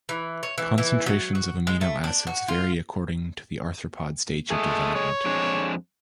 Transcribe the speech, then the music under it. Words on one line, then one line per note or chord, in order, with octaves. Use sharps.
Concentrations of amino acids vary according to the arthropod stage of development.
E3
C#5
E3
E3
F#3
F#4
G#3
A3
D4
F#4
F4
A3 G#4 A4 D#5
C#5
F2 G#3 D4